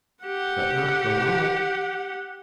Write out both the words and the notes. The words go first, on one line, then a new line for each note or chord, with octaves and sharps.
But not for long.
G4 F#5